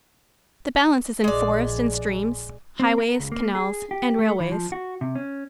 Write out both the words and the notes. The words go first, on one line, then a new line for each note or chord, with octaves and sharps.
The balance is in forests and streams, highways, canals, and railways.
A#1 G#3 D5
C4
A#4
C#2
A#3
G#4
G4
A3
E3
F3
F#4
C3
C#4